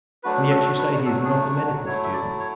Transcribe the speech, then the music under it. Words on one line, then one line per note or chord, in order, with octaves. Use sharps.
"And yet you say he is not a medical student?"
F#3 A3 D4 F#4 B4
A4
B4
F#3 A3 D4 F#4 A4
G#4
F#4
F#3 A3 E4 C#5
E5
D5
C#5